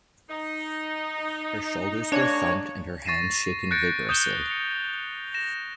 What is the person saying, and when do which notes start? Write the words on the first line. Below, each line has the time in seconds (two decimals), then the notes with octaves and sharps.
Her shoulders were thumped and her hands shaken vigorously.
0.30 D#4
2.12 G#3 A#3 D4 C#5
3.06 C#6 A6 A#6 C7 D#7 E7
3.71 F#6 G6 A6 A#6 C#7 D7
4.09 D#6 G6 E7 G7
4.48 C#7 F7
5.34 A#6 E7